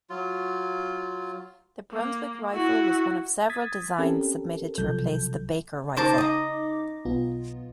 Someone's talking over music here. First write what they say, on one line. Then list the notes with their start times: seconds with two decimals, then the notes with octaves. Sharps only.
The Brunswick rifle was one of several designs submitted to replace the Baker rifle.
0.10 F#3 F4
1.93 A#3
2.50 E4 F#4
3.49 D#6 G#6 A6 B6
3.98 C4 C#4 G4 A4 A#4
4.78 B1 C3 F3 F#3 A4 G6
5.97 C#3 D#4 A#4 C5 A5 D6
6.18 D#5 A#5
7.05 B1 B3 F4